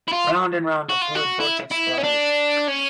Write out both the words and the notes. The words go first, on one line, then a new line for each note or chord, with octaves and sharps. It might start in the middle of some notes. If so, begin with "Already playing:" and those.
Round and round the fluid vortex flies.
E4
F4
F#4
F4
F#4
E4
E4
C#4
D4
C#4